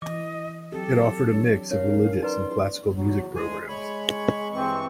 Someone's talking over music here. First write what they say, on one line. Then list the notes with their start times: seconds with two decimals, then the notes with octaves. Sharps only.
It offered a mix of religious and classical music programs.
0.02 E3 D#5 D6
0.72 F#3 C4 G4 A4
1.32 D4 C#5
1.71 C#4 A#4 C#5 F5
2.22 D#4 B4 D5 A#5 C6
2.95 E2 F#3
3.36 D2 G#3 G#4 G#5
3.69 G#3 C#5 B5 C#6
4.52 G2 E3 C4 C#6